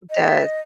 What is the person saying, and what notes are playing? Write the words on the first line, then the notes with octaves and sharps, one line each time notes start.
It does.
D#5
E5
D#5